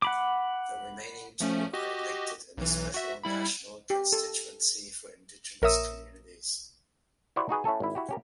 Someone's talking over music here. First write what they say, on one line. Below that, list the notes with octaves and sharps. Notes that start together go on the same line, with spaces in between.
The remaining two are elected in a special national constituency for Indigenous communities.
F#5 B5 D6
F3 A3 C#4
F#4 G4 D#5
B1 E3
F#4 E5
G3 E4 B5
G4
A4
A#1 A#4 C#5 E5 D#6 E6
E4 F#4 G4 C5 D5
D#4 F#4 G#4 B4
A2 A3 C#4 A4 G#5
G#1 E4
E4 F#4 G4
C#4 G4 A#4